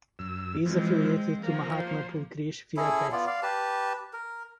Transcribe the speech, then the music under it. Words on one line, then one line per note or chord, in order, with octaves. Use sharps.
It is affiliated to Mahatma Phule Krishi Vidyapeeth.
F#2 E6
E3 F3 G#3 C4
F3 A#3 A#4
C5
C#4 E4 G#4 A4
B3 F4 D5
D5 F5
G4 B4 A5
A#4